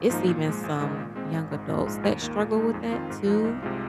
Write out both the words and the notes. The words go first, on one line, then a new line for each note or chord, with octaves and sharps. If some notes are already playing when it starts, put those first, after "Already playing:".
It's even some young adults that struggle with that too.
Already playing: G#1
G#2 F3 A#3 D#4
A#2
F3 G#3
G#1
G#2 D#3 G#3
A#2
G#3 C4
G#1
G#2 G#3
A#1
G#2 G#3 F4
D#2
D#3 A#3
A#2
G#3 D#4
F2
D#3 C4 F4
G#2
F3 G#3 D#4
C2
C3 G#3 F4